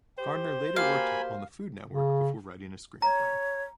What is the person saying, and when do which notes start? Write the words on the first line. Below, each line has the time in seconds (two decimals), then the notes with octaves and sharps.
Gardner later worked on the Food Network before writing a screenplay.
0.18 G4 C5
0.76 A#3 F#4 G4 A#4 F5 G#5 B5
1.90 C#3
3.02 C#5 A#5